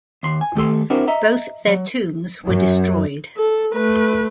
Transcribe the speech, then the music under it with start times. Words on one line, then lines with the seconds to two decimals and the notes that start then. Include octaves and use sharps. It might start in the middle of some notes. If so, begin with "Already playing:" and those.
Both their tombs were destroyed.
0.23 D#2 C6
0.41 G#5
0.55 D#3 A3 G4 A4 C6
0.90 C4 D4 E4 F#4 A#4 C5
1.08 D#5 E5 A#5
1.67 F#3
2.44 F#2
3.37 A4
3.75 A3 B4